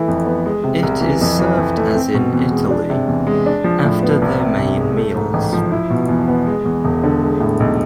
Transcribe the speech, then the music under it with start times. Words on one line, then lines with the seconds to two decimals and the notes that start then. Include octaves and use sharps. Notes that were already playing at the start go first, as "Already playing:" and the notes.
It is served as in Italy, after the main meals.
Already playing: E3 A3 E4
0.08 F2
0.26 B3
0.46 G#3
0.64 C3
0.83 C2
1.01 E3
1.21 F2
1.39 E3
1.57 F2
1.77 A3
1.95 C4
2.14 B2
2.33 E2
2.51 G#3
2.71 D4
2.90 C3
3.08 E2
3.27 G#3
3.46 D4
3.64 F3
3.84 A2
4.03 B3
4.22 C2
4.40 C3
4.59 C2
4.77 G#3
4.97 A3
5.16 G#2
5.34 A1
5.53 F3
5.72 E4
5.90 B2
6.09 E2
6.28 B3
6.47 G#3
6.66 E2
6.85 E1
7.04 D3
7.23 G#3
7.40 A2
7.60 B1